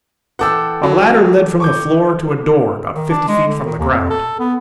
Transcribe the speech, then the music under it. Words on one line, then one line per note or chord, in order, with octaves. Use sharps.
A ladder led from the floor to a door about fifty feet from the ground.
E3 A4 F#5 G5 D6 E6
F#3
C#6 D6 G6
D#3
D4
G#3
D3
D#3
D#2
F2
A4
B3